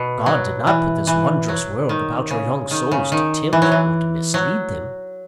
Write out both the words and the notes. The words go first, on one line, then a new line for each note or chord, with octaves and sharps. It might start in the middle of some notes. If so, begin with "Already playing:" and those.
God did not put this wondrous world about your young souls to tempt or to mislead them.
Already playing: B2
F#3
E3
E3
F#3
D#3
C#3
D#3
C#3
D#3
E3
F#3
E3
F#3